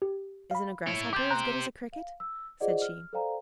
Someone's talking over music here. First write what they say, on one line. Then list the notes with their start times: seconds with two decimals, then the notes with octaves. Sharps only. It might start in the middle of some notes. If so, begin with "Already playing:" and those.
Isn't a Grasshopper as good as a Cricket?' said she.
0.02 G4
0.51 F5 B5
0.87 E4 C#5
1.13 G4 C5 D6 G6 A6
1.30 A#5 F#6 G6
1.93 F5
2.20 E6
2.60 F4 G#4 C5 D5 D#5 F#5
2.82 F6
3.13 A4 C5 D5 F5 G5 A#5